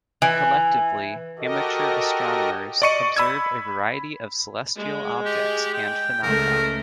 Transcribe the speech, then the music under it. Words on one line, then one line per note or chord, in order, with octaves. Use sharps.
Collectively, amateur astronomers observe a variety of celestial objects and phenomena.
E3
F#4 G4 A4 A#4 D#5
D5 D#5 C#6 C#7 D#7
B5 E6 G#6
G#3
G4
G5
C#2 A3 A#4